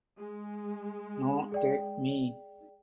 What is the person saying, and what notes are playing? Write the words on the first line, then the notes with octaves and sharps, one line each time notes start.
Noh Tek Mi!
G#3
G#4 D5 G5